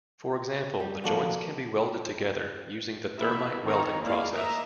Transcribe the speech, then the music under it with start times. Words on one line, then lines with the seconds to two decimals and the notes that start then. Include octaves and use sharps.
For example, the joints can be welded together using the thermite welding process.
0.80 G3
1.04 B1 F2 A#3 D4 F#4 A4
3.18 E3 A#3 B3 E5
3.63 D#3 C4 D#4 A4 C#5 A#5
4.02 A#3 E4 G#4 D5 F5
4.31 A#3 D#5 E5 A#5